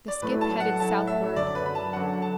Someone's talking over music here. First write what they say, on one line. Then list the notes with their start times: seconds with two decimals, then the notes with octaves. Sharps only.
The skiff headed southward.
0.08 D5
0.22 A2 F#3 A3 E4 B4
0.41 A5
0.60 F#5
0.79 A2 F#3 A3 E4 A5
1.07 E5
1.36 F#2 D3 F#3 D5
1.55 B4
1.66 B5
1.75 A5
1.93 F#2 D3 F#3 F#5
2.22 A5